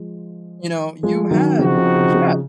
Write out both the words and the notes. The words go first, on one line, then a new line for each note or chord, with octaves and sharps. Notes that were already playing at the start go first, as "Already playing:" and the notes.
You know, you had Yeah,
Already playing: F3 G#3
F3 G#3
D#3 F#3
C#3 F3 C4 D#4 F#4
C#3
C#3
C#3